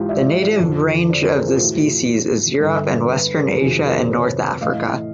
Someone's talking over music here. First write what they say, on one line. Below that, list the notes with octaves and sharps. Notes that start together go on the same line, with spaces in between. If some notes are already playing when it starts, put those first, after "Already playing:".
The native range of the species is Europe and Western Asia and North Africa.
Already playing: G#2 E3 F4 G4
D5 E5
F2 D3
C5 D5
A#4 C5
G#4 A#4
F4
A2 E3 F#4
G2 D3 A4 B4
A4 B4
A4 B4
G#4 A#4
F2 C3 D#3 F#4 G#4
A#4 C5
B4 C#5
A2 E3 D#5 F5